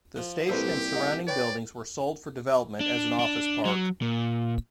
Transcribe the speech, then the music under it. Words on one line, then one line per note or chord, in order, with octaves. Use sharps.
The station and surrounding buildings were sold for development as an office park.
F3
C2 A#2 G4 A4 B4 C5
D#5 F#5
B4 C#5 D5 G5
D4
D4
F#3
A#2